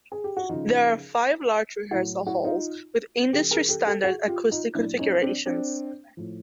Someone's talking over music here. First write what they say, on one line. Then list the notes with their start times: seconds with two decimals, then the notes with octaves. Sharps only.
There are five large rehearsal halls with industry-standard acoustic configurations.
0.12 G#4
0.24 G4
0.37 F#4
0.49 C#3 F3 D#4 F4
1.91 A2 F#3 E4 F#4
2.27 E4 F#4
2.44 D#4 F4
3.33 C#3 G4 A4
3.37 F3
3.51 G#4 A#4
3.69 G4 A4
3.86 G4 A4
4.04 F#4 G#4
4.28 F4 G4
4.51 D#4 F4
4.75 A#2 F#3 D4 E4
4.99 C#4 D#4
5.22 C4 D4
5.46 C4 D4
6.17 A2 F3